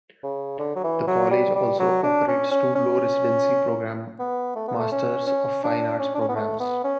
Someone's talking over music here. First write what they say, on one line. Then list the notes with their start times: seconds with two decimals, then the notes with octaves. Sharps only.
The College also operates two Low-residency program, Masters of Fine Arts programs.
0.23 C#3
0.59 D3
0.76 F#3
0.84 E3
1.07 F#3
1.31 G3
1.55 G3
1.80 F#3
2.03 D4
2.28 C#4
2.51 C#4
2.75 C#4
4.19 B3
4.56 A3
4.68 B3
4.79 A3
4.92 C#4
5.27 C#4
5.64 D4
5.99 C#4
6.14 D4
6.21 C#4
6.28 B3
6.36 A3
6.60 B3
6.84 C#4